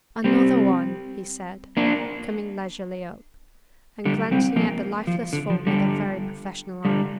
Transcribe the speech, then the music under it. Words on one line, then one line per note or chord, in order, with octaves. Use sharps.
"Another one!" he said, coming leisurely up, and glancing at the lifeless form with a very professional eye.
G3 C4
A#3 D4
D3 G3
G3 C4
F3 A#3
F3
D3
F3
D3 G3
D3 G3